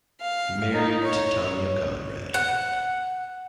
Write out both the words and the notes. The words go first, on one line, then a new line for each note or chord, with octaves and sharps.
Married to Tanya Conrad.
F5
D#4
C#5
F#5